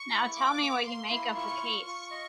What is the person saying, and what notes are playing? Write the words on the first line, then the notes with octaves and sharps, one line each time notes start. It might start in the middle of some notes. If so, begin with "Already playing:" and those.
Now tell me what you make of the case.
Already playing: C#6
E4
A#3 D6
A#3
A#3 C6
E4
F4 C#6
F4
F4 C#6
D#5